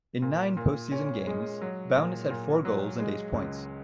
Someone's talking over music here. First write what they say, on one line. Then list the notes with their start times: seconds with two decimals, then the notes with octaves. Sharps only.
In nine post-season games, Bowness had four goals and eight points.
0.22 A#2
0.57 A#2
0.92 C#4
1.27 G#3
1.62 F#3
1.96 A#2
2.31 A#2
2.65 F#3
3.00 G#3
3.34 C#2